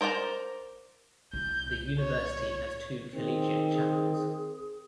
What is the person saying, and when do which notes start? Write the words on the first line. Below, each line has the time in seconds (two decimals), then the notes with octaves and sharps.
The University has two collegiate chapels.
0.01 A#4 C5 D5 F#5 A#5
1.33 C2 C3 G6
1.99 C#5
3.15 D#3 C4 G#4